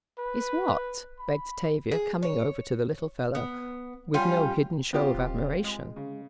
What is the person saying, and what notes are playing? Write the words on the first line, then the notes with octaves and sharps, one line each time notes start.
"Is what?" begged Tavia, coming over to the little fellow, with no hidden show of admiration.
B4
B5
G#4
C#5
B3
G3 C#4 F4 G#5
B3 C4 F4 G4
D#1
G#3
C#3